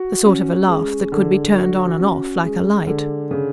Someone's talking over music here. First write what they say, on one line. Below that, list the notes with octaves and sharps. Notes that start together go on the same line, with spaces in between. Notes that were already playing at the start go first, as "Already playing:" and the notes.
The sort of a laugh that could be turned on and off, like a light.
Already playing: F#4
C#4
G#3
D3
F#4
C#4
G#3
D3
C#3